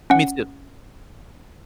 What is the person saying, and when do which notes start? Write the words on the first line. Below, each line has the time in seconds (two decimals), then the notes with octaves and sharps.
Me too.
0.10 C#4 F#5